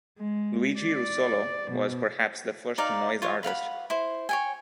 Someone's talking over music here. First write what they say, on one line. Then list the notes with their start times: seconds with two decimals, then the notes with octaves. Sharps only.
Luigi Russolo was perhaps the first noise artist.
0.18 G#3
0.79 D5
1.72 B2
2.78 D#4 A#4 D5 F5
3.22 F4 C#5
3.43 B4 F5 F#5 B5
3.90 E4 C5
4.29 C#5 G5 G#5